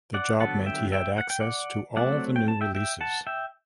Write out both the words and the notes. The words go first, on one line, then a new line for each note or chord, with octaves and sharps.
The job meant he had access to all the new releases.
D5 F#5
D3 F#3 B3 F#5 A5
E5 G5
E5 G5
F#5
G5
D5 F#5
F#3 A3 C4 D5 F#5
G5
A5
E5 G5
E5 G5
F#5 A5
E5 G5